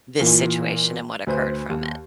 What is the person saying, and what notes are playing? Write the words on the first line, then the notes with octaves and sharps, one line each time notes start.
this situation and what occurred from it.
A#2 E3 F4 A#4
D2 B4 C5
D#2